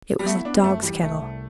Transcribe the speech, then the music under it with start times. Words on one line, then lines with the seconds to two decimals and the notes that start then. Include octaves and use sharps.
It was a dog's kennel.
0.19 G3
0.26 A3 B3
0.36 E4
0.45 B3 D4
0.55 C4
0.64 F#2 A3
0.83 E3 G3
1.02 C2 A3
1.21 C2